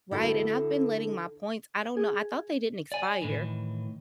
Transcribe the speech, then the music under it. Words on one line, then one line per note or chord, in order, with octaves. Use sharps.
Right, and I've been letting my points I don't know, I thought they didn't expire,
D3 E4 F#4 A4
G#4
D5 G#5
A2 D#3 E3